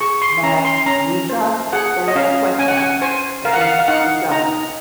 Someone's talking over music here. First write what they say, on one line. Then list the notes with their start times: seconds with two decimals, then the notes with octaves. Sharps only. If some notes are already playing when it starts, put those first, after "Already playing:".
Mask "Lucha de Apuestas" against each other.
0.01 G#4 C#6
0.22 C6
0.43 C#4 A#5
0.65 C6
0.86 C#4 A#5
1.29 C5
1.73 G#4 F#5
2.08 D#5
2.15 C#4 F5
2.59 C#4 G#5
2.68 F#5
2.77 G#5
3.02 C5 G#5
3.45 A#4 F5
3.53 F#5
3.61 F5
3.79 F5
3.88 D#4 F#5
4.31 D#4 A#5